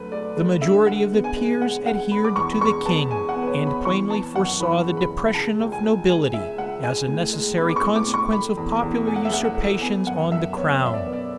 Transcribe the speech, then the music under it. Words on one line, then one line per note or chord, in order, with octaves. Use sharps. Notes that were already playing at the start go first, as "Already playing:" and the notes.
The majority of the peers adhered to the king, and plainly foresaw the depression of nobility, as a necessary consequence of popular usurpations on the crown.
Already playing: D2 F#3 A3 B4
A3 D5
A3
D3 E5
G#3 F#5
B3
G#5
G#3
G#3 F#5
G#3 F#5
G#3 B5
D6
E2 C#6
B5
G#3 C#6
B3 A5
G#3 G#5
F#5
B3
B4
C#5
B3
B5
E3 C#6
B3 A5
F#2 F#5
E3 B5
C#3
B5
C#3
C#3 A5
C#2
G#5
C#2
G#3 G#5
C#3 E5
C#2 F#5
G#3 G#5
A2
G#3
B3 B5
D6
C#6
A2
D6
A2
C#6
A3 B5
E2
E2
A3 G#5
F#5
E5
A3 F#5
F#5
A3
B3 G#5
F#2 F#5
F#2 E5
B3 C#5
C#5
F#2 E5
D5
B3
D5